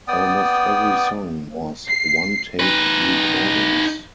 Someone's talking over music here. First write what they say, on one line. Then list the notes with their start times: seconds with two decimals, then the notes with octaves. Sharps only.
Almost every song was one-take recordings.
0.08 B3 D5 G5 D#6
1.88 C7
2.60 D#4 B4